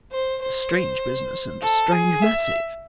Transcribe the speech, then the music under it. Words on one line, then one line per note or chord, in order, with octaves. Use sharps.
It's a strange business and a strange message.
C5
C5
A4
G#4
E5